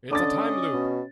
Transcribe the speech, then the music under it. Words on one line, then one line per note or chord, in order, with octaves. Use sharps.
It's a time loop!
D3 C#4 D4 D#5 D6 A6
B2